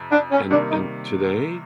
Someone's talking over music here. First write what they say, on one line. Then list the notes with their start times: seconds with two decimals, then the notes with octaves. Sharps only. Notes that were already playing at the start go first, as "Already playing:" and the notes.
and and today,
Already playing: F2 C3
0.12 D4
0.31 C#4
0.51 C3 D#3 G3 A#3 D4
0.70 D#4